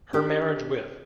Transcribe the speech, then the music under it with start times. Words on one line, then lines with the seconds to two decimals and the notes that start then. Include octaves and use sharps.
Her marriage with.
0.13 D4 G4